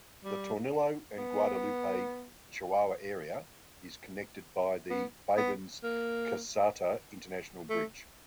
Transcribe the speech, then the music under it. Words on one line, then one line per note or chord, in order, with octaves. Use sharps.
The Tornillo and Guadalupe, Chihuahua, area is connected by the Fabens-Caseta International Bridge.
G3
B3
B3
B3
A#3
A3